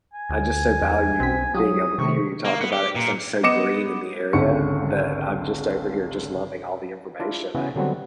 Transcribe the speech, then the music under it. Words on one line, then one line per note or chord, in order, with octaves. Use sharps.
I just so value being able to hear you talk about it 'cause I'm so green in the area that I'm just over here just loving all the information, I
G#5
D2
E2
B1 C4 B6
F#3 F4 G4 D#6
C3 D#3 A3 C#6
A#3
B3
G4
A#2
B3 D#5 D6 C#7 E7
G#1 C#2 D3 C#6 C#7
D4 E4 F4
C#3 E3 B3 E4 F#4 G#4
D3 F#3 G3 B3 C4 F#4